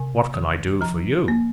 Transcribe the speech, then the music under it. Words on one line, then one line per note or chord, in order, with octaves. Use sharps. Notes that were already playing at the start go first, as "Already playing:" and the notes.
What can I do for YOU?
Already playing: C3 G#5
D#3
F3 A#5
A#3